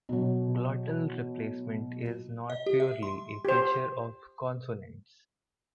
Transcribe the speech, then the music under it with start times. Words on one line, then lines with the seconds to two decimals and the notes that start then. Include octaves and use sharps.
Glottal replacement is not purely a feature of consonants.
0.09 B2 F#3
2.50 D#5
2.66 G4
2.80 E5
3.03 C6
3.45 G4 C5